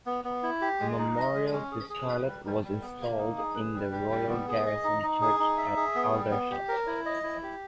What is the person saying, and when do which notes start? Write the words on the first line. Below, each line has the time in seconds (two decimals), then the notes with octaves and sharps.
A memorial to Scarlett was installed in the Royal Garrison Church at Aldershot.
0.06 B3
0.24 B3
0.43 E4
0.61 G4
0.80 G#3
0.99 D#4
1.17 D#5
1.35 G#3
1.53 C#4
1.72 G#4
1.90 G#4
2.09 B4
2.27 G3
2.45 G3
2.64 G3
2.82 B3
3.01 A#3
3.19 D#4
3.38 G#4
3.55 B4
3.75 G3
3.92 G4
4.11 G3
4.29 B3
4.48 G#4
4.66 D#5
4.84 D#4
5.03 D#4
5.22 G#4
5.40 D#4
5.58 E5
5.77 G#4
5.95 B3
6.13 G3
6.31 B3
6.51 G4
6.68 A#4
6.87 E4
7.05 D#5
7.23 E4
7.43 G4